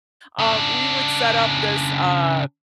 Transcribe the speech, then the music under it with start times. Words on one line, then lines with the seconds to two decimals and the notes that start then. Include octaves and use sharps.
Um, we would set up this, uh,
0.39 C#3 D4